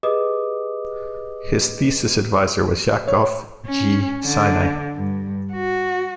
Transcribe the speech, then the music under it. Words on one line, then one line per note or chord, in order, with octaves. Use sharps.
His thesis adviser was Yakov G. Sinai.
G4 G#4 B4 D#5 D6 D#6
C#5
C#4
D3
G2
F#4